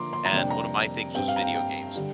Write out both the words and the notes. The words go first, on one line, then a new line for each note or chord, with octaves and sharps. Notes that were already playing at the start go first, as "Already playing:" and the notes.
And, one of my things was video games.
Already playing: D3 F3 A#3 A#5 C6 D6
C6
A#5
F2 C3 G3 A#3 D4 G5
A#5
G2 G3 C4 G5
F5
A#5
G5
G5
D3 G3